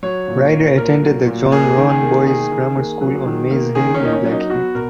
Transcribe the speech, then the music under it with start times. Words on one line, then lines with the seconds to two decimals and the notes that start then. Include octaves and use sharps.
Rider attended the John Roan Boys' Grammar School on Maze Hill in Blackheath.
0.03 F#3 C#5
0.28 A#2
0.52 A#3
0.77 A#2 A#4
1.02 F#3
1.27 A#2
1.52 A#3 G#4
1.77 D#3
1.89 G#4
2.02 A#3
2.26 D#3 G#4
2.51 D#3
2.76 A#3
3.01 F#3
3.26 D#3
3.51 A#3
3.75 D#3 G#4
3.94 C#4
4.00 A#3 D#4
4.13 C#4
4.25 F#3
4.31 D#4
4.50 B3 F#4
4.75 B2 A#4